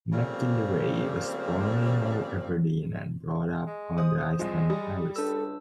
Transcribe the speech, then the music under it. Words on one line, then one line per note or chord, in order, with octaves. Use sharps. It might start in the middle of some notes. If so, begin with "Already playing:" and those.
MacGillivray was born in Old Aberdeen and brought up on the island of Harris.
C#3 F3 G3 A3 A#3 C4
G#3
C5 D#6
C2 F3 G#3
G3 D#6
C#2 D4 A4 E6